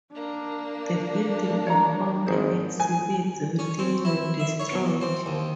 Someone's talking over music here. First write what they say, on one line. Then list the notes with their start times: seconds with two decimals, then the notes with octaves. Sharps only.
The building and all the exhibits within were destroyed.
0.15 A#3 D4
1.67 C#5 A#5
2.26 G#1 G#4 C5
2.80 G#5
3.59 C#4
3.79 C4
4.05 E4
4.40 E5
4.60 C#5
4.71 B2
5.01 C4
5.26 D#2